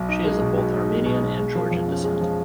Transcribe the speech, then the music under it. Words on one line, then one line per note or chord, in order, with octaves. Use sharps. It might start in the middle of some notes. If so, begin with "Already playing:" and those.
She is of both Armenian and Georgian descent.
Already playing: B1
D#4
G#3
B2
B2
D#4
G#3
B2
B2
G#3
F3
F2
C#4
G#3
F3